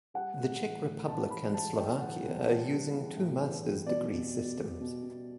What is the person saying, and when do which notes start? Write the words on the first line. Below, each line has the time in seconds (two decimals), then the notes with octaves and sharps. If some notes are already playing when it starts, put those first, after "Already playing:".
The Czech Republic and Slovakia are using two master's degree systems.
0.14 G3 F#5
0.39 A2
0.61 E3
0.84 A2
1.08 E3 A5
1.30 E3 B5
1.54 G3 A5
1.78 A2 G5
2.01 E3 F#5
2.24 B3
2.47 G3
2.70 G3
2.93 E3
3.17 A2
3.41 E3
3.63 G3
3.86 B2 D5
4.11 B2
4.33 B2
4.57 B2
4.81 B2
5.03 B2